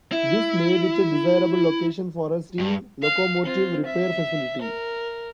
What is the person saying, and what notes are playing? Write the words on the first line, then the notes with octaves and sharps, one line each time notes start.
This made it a desirable location for a steam locomotive repair facility.
E4
G2
F5
C4 F4
E5
A#4